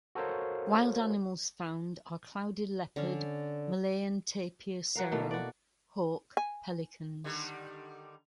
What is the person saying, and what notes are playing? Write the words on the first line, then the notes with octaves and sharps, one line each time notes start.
Wild animals found are clouded leopard, Malayan tapir serow, hawk, pelicans.
F#4 A4 A#4 C5 C#5 F5
D3 C#4
F#3 F#4 A#4 F5
B2 E3 A3 A#3
F#4 D5
G#5
D3 D#3 G3